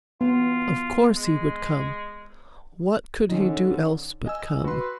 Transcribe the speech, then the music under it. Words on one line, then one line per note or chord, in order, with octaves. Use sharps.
Of course he would come; what could he do else but come?
B3 F4
G#3
D3 D#3 C#4 D#4
D#5 G#5 E6
F#4 B4 C6